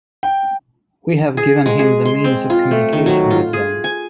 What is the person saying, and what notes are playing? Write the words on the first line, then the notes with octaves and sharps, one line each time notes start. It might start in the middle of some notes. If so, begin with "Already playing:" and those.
We have given him the 'means of communication' with Them.
G5
G#4
G#3
G#4
C6
C4
F4
A3
D#3
F#3
F4
G#4
G#5